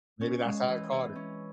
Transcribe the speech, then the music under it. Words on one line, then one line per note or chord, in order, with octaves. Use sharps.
Maybe that's how I caught it.
C#4
G#3
E3
E3
C#4